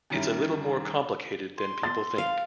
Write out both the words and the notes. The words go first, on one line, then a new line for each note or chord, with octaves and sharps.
It's a little more complicated than people think.
F#2 D#3 G3 E4
C6
A6
F5